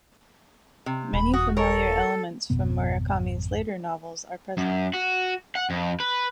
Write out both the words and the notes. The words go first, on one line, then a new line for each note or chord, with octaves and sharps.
Many familiar elements from Murakami's later novels are present.
C3
D#1 B5
F#4 D#6
A4 A#4 C#5
G#1 F2 B2 B3
F#2
F#4
F#5
F2
B4